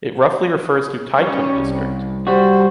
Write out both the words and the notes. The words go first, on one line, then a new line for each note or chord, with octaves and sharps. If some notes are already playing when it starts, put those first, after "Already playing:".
It roughly refers to Taitung district.
D#3 G3 C#4
C2
G3 F#4 C5